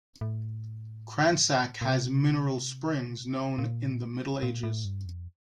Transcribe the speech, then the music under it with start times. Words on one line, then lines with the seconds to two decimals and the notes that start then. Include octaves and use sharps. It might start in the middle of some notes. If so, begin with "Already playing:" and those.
Cransac has mineral springs, known in the middle ages.
0.21 A2
1.81 A#2
1.90 C3
3.58 A#2
4.43 A#2
4.63 A2
4.85 G2
5.06 F2